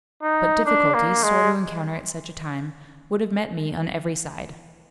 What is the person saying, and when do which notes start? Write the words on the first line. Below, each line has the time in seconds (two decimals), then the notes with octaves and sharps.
But difficulties, sore to encounter at such a time, would have met me on every side.
0.22 D#4
0.65 D4
0.94 A#3
1.23 G#3